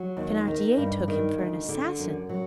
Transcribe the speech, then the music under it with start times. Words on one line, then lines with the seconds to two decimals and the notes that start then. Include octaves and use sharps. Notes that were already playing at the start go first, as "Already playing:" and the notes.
Thenardier took him for an assassin.
Already playing: F#3
0.17 D#2
0.48 D#3
0.77 G2
1.08 D#3
1.38 D2
1.69 D3
1.99 F#2
2.29 F#3